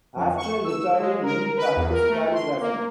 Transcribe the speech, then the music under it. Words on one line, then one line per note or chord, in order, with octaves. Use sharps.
After retiring, Li practiced calligraphy.
F2
C#6
E6
G#3
A#4
B4
E2
A#4
A3
C6
A#3